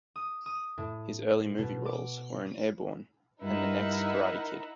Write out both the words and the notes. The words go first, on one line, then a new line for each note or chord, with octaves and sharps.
His early movie roles were in "Airborne" and "The Next Karate Kid".
D#6
D#6
A2
B2
D6
G2 D#4 E4 A#4 E5 F#5